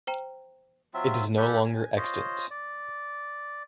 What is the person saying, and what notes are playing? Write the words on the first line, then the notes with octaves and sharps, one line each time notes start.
It is no longer extant.
C5 G5 A#5
F#3 C4 F4 E5
G4 A4 B4
G#5
F4 C5 C#5 D#5
D5